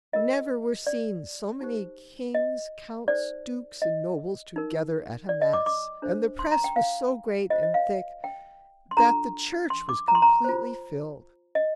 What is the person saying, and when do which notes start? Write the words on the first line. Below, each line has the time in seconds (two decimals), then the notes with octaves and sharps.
Never were seen so many kings, counts, dukes, and nobles together at a Mass, and the press was so great and thick that the church was completely filled.
0.13 F4 A#4 D#5
0.87 D5
1.61 D#4 G4 C5
2.34 D#5
3.08 D#4 A4 C5 D5
3.82 D#5
4.56 D#4 A#4
5.29 D5
5.42 D#5
5.53 D6
5.66 D6
6.02 D4 A4 C5
6.39 C6
6.51 A#5
6.64 G5
6.76 F5
7.50 F4 C5 D#5
7.63 D#5
7.74 F5
8.24 G5
8.91 C6
8.97 D4 F4 A4 A#5
9.70 C6
9.89 D6
10.08 A#5
10.15 C6
10.22 A#5
10.44 F4 C5
11.55 D#5